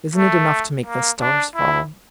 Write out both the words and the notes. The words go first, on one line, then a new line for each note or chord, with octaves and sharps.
Isn't it enough to make the stars fall!
A3
A#3
D4
E4